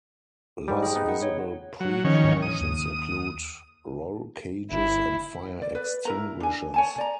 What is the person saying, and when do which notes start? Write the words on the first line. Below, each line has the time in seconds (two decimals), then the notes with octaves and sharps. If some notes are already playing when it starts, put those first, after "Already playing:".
Less visible precautions include roll cages and fire extinguishers.
0.68 G#2 G3 G5
0.83 G#4
0.95 B3 D#4
1.09 F#5
1.22 C#5
1.80 F#3
2.04 D#3 F3 C#4
2.24 G#2 E3 F#3
2.42 D#6
2.60 D#2
4.71 G1 E4
5.62 D5
5.75 B4 D5
6.05 E4 A#4 A#5
6.40 D4 G#5
6.74 C#5 G#5 A5
6.98 D5 A#5